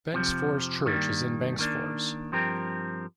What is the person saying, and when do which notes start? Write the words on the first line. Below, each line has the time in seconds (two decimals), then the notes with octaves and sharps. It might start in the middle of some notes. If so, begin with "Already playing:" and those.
Bengtsfors Church is in Bengtsfors.
0.13 F2 C3 F3
0.86 G2 D#3 G3 A#3
1.59 D#3 A#3 D4
2.32 G2 F3 C4 G4 A#4